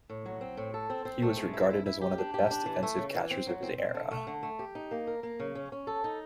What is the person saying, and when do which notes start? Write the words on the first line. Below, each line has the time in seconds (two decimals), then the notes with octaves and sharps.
He was regarded as one of the best defensive catchers of his era.
0.10 A2
0.26 F#3
0.41 C4
0.57 A2
0.74 A4
0.90 C4
1.05 C4
1.22 A3
1.37 G#3
1.53 E4
1.70 E4
1.86 E4
2.01 G4
2.18 D4
2.34 G4
2.51 D4
2.66 E3
2.83 A3
2.98 C#3
3.15 E3
3.31 C4
3.47 F#3
3.63 C4
3.78 C4
3.95 D3
4.11 A3
4.27 D3
4.43 A3
4.59 G4
4.75 D#4
4.91 A#3
5.07 A#4
5.23 A#3
5.40 C#3
5.55 C#4
5.72 C#4
5.87 A4
6.04 D#4